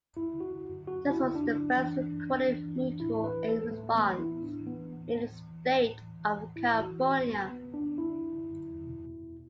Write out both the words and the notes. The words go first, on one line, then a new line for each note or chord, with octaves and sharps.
This was the first recorded mutual aid response in the state of California.
F#2 E4
D3
F#4
D3
F#2
F#2 F#4
D3 E4
D3
D4
F#2
F#2
E3
E3
F#2
F#2
E3
E3
F#2
A2 E4
E3
B4
E3
A4
A2
A2 A3
A3
E3
B3
E3
E4
A2
A2 D4
E3
B3
E3
A2
A2
E3
E3
A2
A2
E3
E3
A2
A2 E4
E3
F#4
E3
A2
F#2 B3
D3
B3
D3
D4
F#2
F#2 E4
D3
D3
F#2
E2
B2
B2
E2